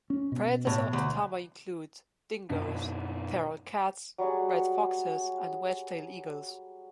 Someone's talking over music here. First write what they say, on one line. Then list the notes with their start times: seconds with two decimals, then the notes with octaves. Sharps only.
Predators of the tammar include dingos, feral cats, red foxes and wedge-tailed eagles.
0.10 C#4
0.32 B2
0.67 A2
0.93 D2
2.50 F#2 B2 D4
4.18 F#3 G3 F#4 G#4